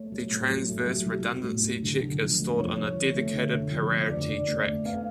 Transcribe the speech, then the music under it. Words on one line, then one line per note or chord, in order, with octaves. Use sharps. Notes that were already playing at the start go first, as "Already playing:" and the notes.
The transverse redundancy check is stored on a dedicated "parity track".
Already playing: A3 C#5
F#3
A2
F#3
A3
F#3
F#3
F#3
A2
F#3
D3
D3
F3
A3
F3 C#5
F3
D3
A3
D3
D3
F3
A3
D3 D5
D3
A3
A3
B3 F5